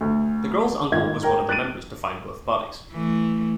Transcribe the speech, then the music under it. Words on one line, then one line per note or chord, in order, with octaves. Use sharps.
The girls' uncle was one of the members to find both bodies.
D2
G#1 D#3 F4 G#6
A#4 G5
F#6 A6 D7 D#7
E3 A3